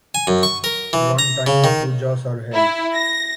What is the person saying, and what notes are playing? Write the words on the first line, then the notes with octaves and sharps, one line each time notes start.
One time Pujas are held.
G#5
F#2
C#6
A#4
E3
A#5
C#3
D#3
E4
A#6